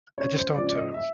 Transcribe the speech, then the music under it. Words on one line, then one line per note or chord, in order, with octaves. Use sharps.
I just don't, uh
C#2 C#5
C5
C#3 F3 G#3 D5
D5
D#5
E5